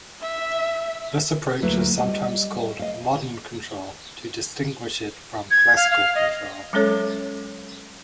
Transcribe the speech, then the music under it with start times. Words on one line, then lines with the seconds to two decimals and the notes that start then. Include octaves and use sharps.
This approach is sometimes called "modern control" to distinguish it from "classical control".
0.21 E5
1.62 D2 F#3 A#3 E4 B4
1.98 G3 D#5
2.79 D#5 F5
5.51 G#6
5.76 F5
5.91 F5
6.15 D#5
6.73 F#3 G#3 C#4 A4 C#5